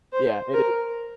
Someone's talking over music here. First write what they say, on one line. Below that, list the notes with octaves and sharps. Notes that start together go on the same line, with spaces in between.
Yeah, it is
C5
A#4